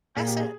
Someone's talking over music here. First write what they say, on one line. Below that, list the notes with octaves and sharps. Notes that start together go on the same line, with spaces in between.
That's it.
A#2 G#4
G4
G#4